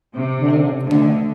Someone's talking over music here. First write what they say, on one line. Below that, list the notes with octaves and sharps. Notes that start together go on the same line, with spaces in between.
Little of that.
C3
D2 D3